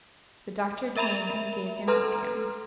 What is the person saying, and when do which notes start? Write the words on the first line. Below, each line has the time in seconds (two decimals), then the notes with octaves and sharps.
The doctor came and gave him opium.
0.96 A#4 E5 A#5 B5 F7
1.88 A4 B4 A#5 C6 F6